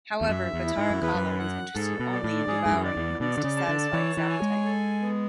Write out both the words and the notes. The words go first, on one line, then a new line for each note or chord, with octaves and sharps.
However, Batara Kala was interested only in devouring humans to satisfy his appetite.
E2
F#2 E5
E2
E4
G#2
F#2
E2 B4
F#2
F#5
G#2 A4
B2
D5
A2
G#2 G#4
G#2
F#2
D5
E2
B2 D5
D3
C#3
A5
D3
E3 C#5
E3
G#5
G#3
A4
B3